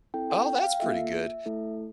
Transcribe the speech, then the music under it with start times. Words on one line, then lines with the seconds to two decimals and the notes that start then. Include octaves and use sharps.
Oh, that's pretty good.
0.14 C4 E4 A4 G5
0.30 G5
0.46 G5
0.63 F5
0.80 A#3 F4 A4 E5
1.46 A3 E4 A4